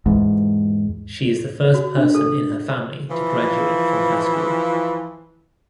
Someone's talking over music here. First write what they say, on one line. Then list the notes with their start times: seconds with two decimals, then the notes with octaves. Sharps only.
She is the first person in her family to graduate from high school.
0.06 E2 G#2
1.74 F#4
1.97 D4
2.15 A4
3.09 E3 F3